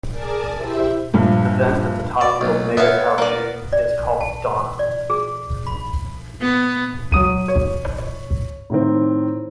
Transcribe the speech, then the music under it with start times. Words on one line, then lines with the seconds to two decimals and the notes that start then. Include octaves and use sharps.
The vent at the top of Omega Cauchy is called Donna.
0.10 G#4 A#4 D5 G#5 A5
0.57 E4 G4 C5 E5
1.14 A#1 G2
2.21 F#4 D5
2.41 B1 F#3
2.77 B3 C#5 E5 F5
3.18 A#3 A#4 D5
3.73 D5
4.20 A5
4.79 D5
5.10 G#4
5.67 B5
6.40 B3
7.12 F#3 D#6 D#7
7.48 C#5
8.70 A2 D#3 C4